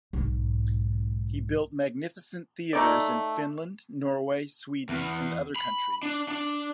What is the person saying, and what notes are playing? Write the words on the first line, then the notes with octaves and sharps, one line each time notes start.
He built magnificent theatres in Finland, Norway, Sweden, and other countries.
B1 G#2
A3 D#4 D5
E2
B5
D4
D4